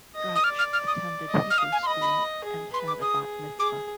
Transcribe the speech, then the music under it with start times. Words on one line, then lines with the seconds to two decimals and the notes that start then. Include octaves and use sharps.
Dratch attended Hebrew school and had a Bat Mitzvah.
0.15 D#5
0.35 D#6
0.44 D5 F6
0.59 F6
0.73 F6
0.87 D#6
1.29 D#5
1.50 F6
1.58 F5 D#6
1.72 G#5
1.83 C6
1.87 D#5 B5
2.02 B5
2.44 G#4
2.73 B4 C6
2.88 D6
3.02 G#4 D#6
3.59 G#4 D6